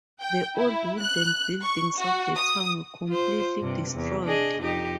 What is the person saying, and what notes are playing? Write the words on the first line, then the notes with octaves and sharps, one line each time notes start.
The old wooden buildings of the town were completely destroyed.
G5
E4
F#6
C#6
F#4
D#6
F4 C5
G2 C3
E2
D4 G#4 D#5
F2 D#4 G4